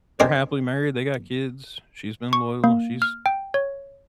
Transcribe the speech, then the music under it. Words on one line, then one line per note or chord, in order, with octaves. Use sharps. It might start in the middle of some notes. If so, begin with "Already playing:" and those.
they're happily married, they got kids, she's been loyal, she's
C4 D4 A#4 C5 D#5 G#5
C#6
A#3
F6
G5
C#5